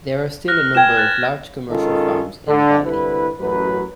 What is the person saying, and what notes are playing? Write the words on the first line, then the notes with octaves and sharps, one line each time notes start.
There are still a number of large commercial farms in the valley.
F6 F#6 A#6
G#4 B4 G5 G#6 E7
F#6 A6
D#3 G#3 C#4 F4 G#4 A4
D3
C2 D3 E4 B4
A1 F#2 F#3 B4